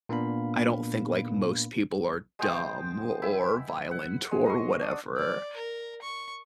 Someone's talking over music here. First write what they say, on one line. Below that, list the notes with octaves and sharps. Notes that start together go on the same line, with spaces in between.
I don't think, like, most people are dumb or violent or whatever,
A#2 A#3 B3 D4 F5 B5
G#3 B3 C5 G5
E4 B5 E6
F#5
G#3
D#5 C6 C#6
D4 D#6
D5
A#4
C#6